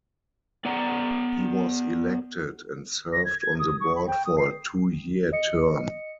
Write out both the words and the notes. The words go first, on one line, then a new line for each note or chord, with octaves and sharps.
He was elected and served on the board for a two-year term.
B3 D5 F#5 A#5
A#6
G#6
G#6
D#6
C#6
B5
G5
D#6
C7
D#5 C#7